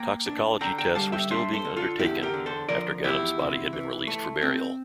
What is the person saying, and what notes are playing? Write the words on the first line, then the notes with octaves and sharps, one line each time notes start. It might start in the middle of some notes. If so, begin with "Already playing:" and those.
Toxicology tests were still being undertaken after Ghanem's body had been released for burial.
Already playing: A#3 G5 A#5
D4
D3 G5 A#5
G5 A#5
G3 F5 A5
E5 G5
D4 C5 E5
A4 C5
D3
F4 A4
E2 E4 G4
G4 A#4
D3
A4 C5
F3 A#4 D5
E2 E4 G4
C3
E3
A3
C4